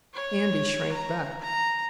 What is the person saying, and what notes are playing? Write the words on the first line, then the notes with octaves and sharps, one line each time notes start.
Andy shrank back.
C#5
A#5
A#5